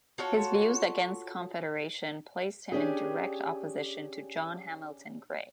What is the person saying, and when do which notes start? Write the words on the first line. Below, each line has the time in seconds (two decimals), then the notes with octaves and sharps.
His views against Confederation placed him in direct opposition to John Hamilton Gray.
0.18 F4 F#4 A4 C#5
2.72 C#4 D4 G4 G#4